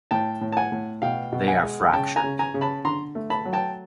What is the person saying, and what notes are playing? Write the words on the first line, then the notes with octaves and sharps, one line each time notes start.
They are fractured.
A2 G5 A5
A2
A5
F#5 G#5
A2
B2 F5 G5
B2
F#5 G#5
G#3
C#3 G5 A5
G#5 A#5
C#3
G#5 A#5
C#3
A5 B5
D3 A#5 C6
A3
A5 B5
F#3
G5 A5